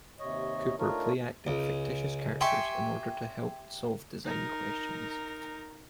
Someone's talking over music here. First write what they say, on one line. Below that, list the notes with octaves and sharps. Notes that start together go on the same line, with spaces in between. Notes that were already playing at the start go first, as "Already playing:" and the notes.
Cooper play-acted fictitious characters in order to help solve design questions.
D#2 C3 C#5 D#5
A3 D4 D#4 F4 A#4 C#5
C#2
G4 E5 G#5 C6 C#6
D#4 A#4